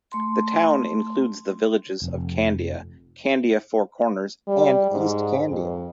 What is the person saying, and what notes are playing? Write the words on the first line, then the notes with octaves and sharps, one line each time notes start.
The town includes the villages of Candia, Candia Four Corners and East Candia.
A3 C6
F1 F2
G3
G#2
F2